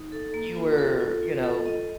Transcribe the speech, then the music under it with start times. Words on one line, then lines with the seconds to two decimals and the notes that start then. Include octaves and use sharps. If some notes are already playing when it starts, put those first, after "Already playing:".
you were, you know,
Already playing: D#4
0.12 A4
0.34 A#3
0.56 F4
0.79 A4
1.00 F4
1.23 F4
1.44 A4
1.66 D#5